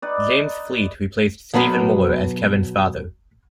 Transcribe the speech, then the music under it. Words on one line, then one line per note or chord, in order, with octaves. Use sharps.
James Fleet replaced Stephen Moore as Kevin's father.
D#4 B4 D5
B2 F#3 B3 B4